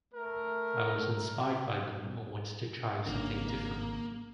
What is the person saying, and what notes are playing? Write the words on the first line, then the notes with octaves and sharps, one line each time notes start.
I was inspired by them and wanted to try something different.
A3 A#4
G#1 C#3 A#3 D4